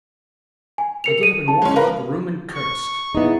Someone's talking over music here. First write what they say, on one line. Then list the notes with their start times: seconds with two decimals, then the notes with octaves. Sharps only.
I get up and walk about the room and curse....
0.78 G#5
1.04 A#4 C#7 F7
1.21 A4 D#7
1.48 A5
1.62 G#3 C#4
1.76 A#4 B4 F5
2.55 C#6
3.15 B3 D#4 E4 G#4 D5